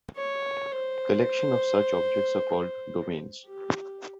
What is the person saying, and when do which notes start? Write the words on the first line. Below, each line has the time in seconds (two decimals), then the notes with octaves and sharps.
Collections of such objects are called domains.
0.17 C#5
0.72 C5
3.47 G4